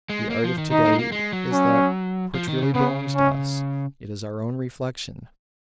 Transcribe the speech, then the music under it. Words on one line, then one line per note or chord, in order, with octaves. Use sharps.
The art of to-day is that which really belongs to us: it is our own reflection.
G#3
A#3
F3
D#3
D#3 D#4
A#3
G#3
A#3
G#3
F#3
C#4
F3
D#3
C#3
C#3 B3
C#4